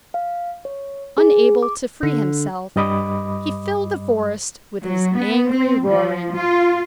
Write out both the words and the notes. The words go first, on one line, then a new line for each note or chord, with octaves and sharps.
Unable to free himself, he filled the forest with his angry roaring.
F5
C#5
G#4
D6
D3
G2 G3 D#5 B5 D6 D#6
F#3
B3
C4
F3
F4